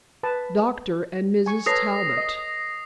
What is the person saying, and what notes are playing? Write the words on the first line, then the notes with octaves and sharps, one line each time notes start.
"Dr. and Mrs. Talbot."
B4 A5
G#5 C#6
A4 B4 C#5 D#6 A#6 C7
D#5